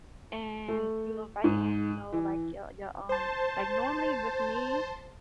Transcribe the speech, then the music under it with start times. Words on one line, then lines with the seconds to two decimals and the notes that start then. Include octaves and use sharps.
and you invite in, you know, like, your your, um like, normally with me
0.68 A3
1.44 G#2
2.13 E3
3.09 C5 A5